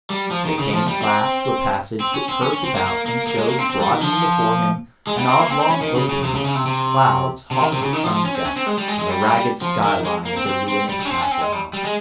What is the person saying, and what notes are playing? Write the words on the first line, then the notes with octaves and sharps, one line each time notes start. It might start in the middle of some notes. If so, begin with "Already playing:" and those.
They came at last to a passage that curved about, and showed broadening before him an oblong opening, clouds hot with sunset, and the ragged skyline of the ruinous Council House.
G3
F3
D#3
C#3
F3
G3
C4
C4
C#4
C4
C#4
C#4
C4
A#3
A#3
A#3
A#3
G#3
A#3
C4
C4
G3
D#3
F3
G#3
G3
C4
A#3
C4
C4
C#4
D#3
C#3
C#3
C3
C#3
C#3
C3
C3
C3
D#3
C3
C#3
D#3
F3
F3
C#4
C4
C#4
C4
G#3
G3
G#3
G#3
G3
F3
D#3
G#3
A#3
C4
C4
C4
G3
G3
C#4
C4
C#4
C4
G#3
G3
G3
G#3